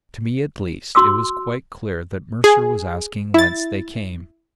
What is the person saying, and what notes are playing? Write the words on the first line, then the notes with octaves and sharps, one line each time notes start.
To me, at least, it was quite clear that Mercer was asking whence they came.
F#4 C6 D6 E6
G#4
E4 A6